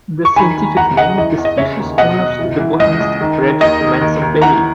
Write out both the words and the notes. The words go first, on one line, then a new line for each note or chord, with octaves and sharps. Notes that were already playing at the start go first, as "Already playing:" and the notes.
The scientific name of the species honours the botanist Frederick Manson Bailey.
C#6
D#3 G#5 B5
D#2
E2 F#5 A#5
C#3 D#5 F#5
E3 D#5
E2
D#5
C#3 C#5 E5
D#2
B2 D#5 F#5
B2
E3
E3
C#2 D#5
C#2
D#3
D#3
D#2 D#5
D#3
D#2
D#2
E3 F#5 A#5